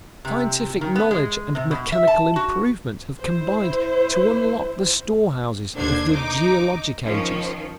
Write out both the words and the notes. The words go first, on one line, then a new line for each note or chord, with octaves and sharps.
Scientific knowledge and mechanical improvement have combined to unlock the storehouses of the geologic ages.
C3
D#3
B3
G#3
C3
B2
E5
A5
F#4
E4 C5
D#2 D3 D4 C5 G#6
D#4 D6
D#3 F3 C#4